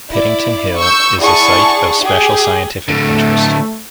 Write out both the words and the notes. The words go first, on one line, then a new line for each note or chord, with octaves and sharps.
Pittington Hill is a Site of Special Scientific Interest.
E4 D5
C#6 E6 G6
E4 G#4 D5 F#5 A5 C#6
G4 G#4
A2 D3 A3